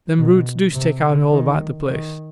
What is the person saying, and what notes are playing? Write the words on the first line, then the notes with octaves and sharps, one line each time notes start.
Them roots do stick out all about the place.
B2
C3
D3
D#3
D#3